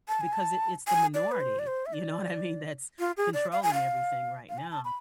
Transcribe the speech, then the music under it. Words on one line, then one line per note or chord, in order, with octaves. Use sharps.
because i it's the minority. You know what I mean? That's controlling everything right now.
A5
G#5
A5
G#5
D5
B4
C5
D5
C5
E5
D5
F4
G#4
D5
F5
G#5
F5
F5
G#5
A5
B5